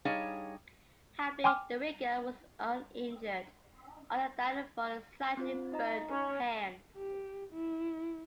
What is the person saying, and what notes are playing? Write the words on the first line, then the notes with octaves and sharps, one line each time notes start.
Happily, the rigger was uninjured, other than for a slightly burned hand.
G3 D4 D#4 G#4 C#5 F5
G5 G#5 C6 D6 F6
C4 F4 C5
D#4 D#5 A#5
C#4 C#5
G4
E4